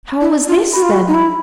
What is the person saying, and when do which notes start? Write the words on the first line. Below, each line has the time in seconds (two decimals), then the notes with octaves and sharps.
How was this, then?
0.20 E4
0.47 F4
0.73 F#4 B5
0.82 F4
0.90 F#4
1.07 D#4
1.14 E4 B5